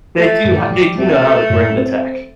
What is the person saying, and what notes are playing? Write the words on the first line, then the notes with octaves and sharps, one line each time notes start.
They do h they do know how to bring the tech.
A3 A4
A2
G3
F3
A3 C4
A4
A2
C4